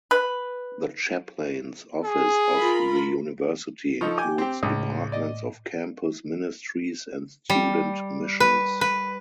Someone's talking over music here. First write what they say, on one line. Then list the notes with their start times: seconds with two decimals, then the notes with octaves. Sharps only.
The Chaplain's Office of the University includes departments of Campus Ministries and Student Missions.
0.11 B4
2.05 G#4
2.56 F4 A#4 B5
4.01 F3 D#4 A4 C#6
4.18 G5 G#5 D6 G6
4.38 C4 G4
4.63 C#2 A2
5.12 D5 D#5
7.50 G3
8.40 B4
8.81 B4